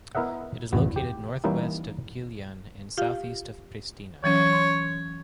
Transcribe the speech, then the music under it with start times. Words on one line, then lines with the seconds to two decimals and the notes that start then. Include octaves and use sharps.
It is located northwest of Gjilan and southeast of Pristina.
0.15 B3 E4 A#4 D#5 E5 F#5
0.73 G#1 E2 B2 B3
0.96 G4
1.44 E3 G3 A#3 C#4 D#4 E4
2.98 F4 G4 F5
4.24 E3 F#3 C#4 C#5
4.53 C6